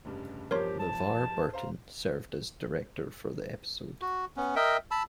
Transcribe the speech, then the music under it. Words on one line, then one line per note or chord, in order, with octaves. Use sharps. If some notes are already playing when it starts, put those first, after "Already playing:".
LeVar Burton served as director for the episode.
F1 G2 C#3
E2 G2 F3 G4 A#4 C#5 C6
A5
C5 F5 A#5
F#4
B3 C#4
A#4 D#5 E5 G5
A5 B5 E6